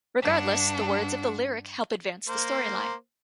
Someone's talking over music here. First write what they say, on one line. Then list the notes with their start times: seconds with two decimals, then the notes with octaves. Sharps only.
Regardless, the words of the lyric help advance the storyline.
0.22 G2 D4 F#5
2.29 A#3 C5